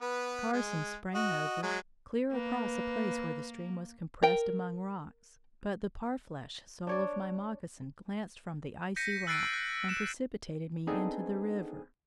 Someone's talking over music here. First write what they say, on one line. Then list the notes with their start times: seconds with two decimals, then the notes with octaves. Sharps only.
Carson sprang over, clear across a place where the stream was compressed among rocks, but the parfleche sole of my moccasin glanced from the icy rock, and precipitated me into the river.
0.01 B3 B4
0.53 G#3
1.15 F#4 D#5
1.63 F#3 G#3
2.33 A#3 B4
4.23 A#4 G5
6.87 D4 C#5 D5
8.96 G6 A#6 B6 C#7 D#7
9.27 E6 F#6 A6 C7 D7 D#7
9.53 F#6
9.89 E6 E7
10.87 B3 C4 D4 D#4 G#4 A4